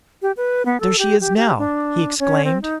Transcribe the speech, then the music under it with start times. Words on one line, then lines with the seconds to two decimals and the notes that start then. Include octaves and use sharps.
"There she is now!" he exclaimed.
0.22 G4
0.37 B4
0.66 B3
0.80 A4
0.99 G4
1.21 G4
1.37 G4
1.58 D4
2.19 C#4
2.45 C4
2.62 D#4